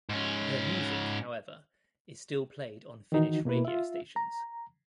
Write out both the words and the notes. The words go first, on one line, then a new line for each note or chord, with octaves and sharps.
Their music, however, is still played on Finnish radio stations.
G#2 C#4
D#3 E3 D#4 F#4
B2 A#3 E4 B4
F4 E5
A#5